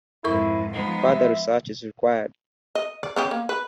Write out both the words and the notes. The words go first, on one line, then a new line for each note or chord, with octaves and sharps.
Further research is required.
F2 G#2 E4 A4 A#4 C#6
F3 G#3 B3 D#4
E5
D#5
D5
B3 C#4 G4
A#3
B4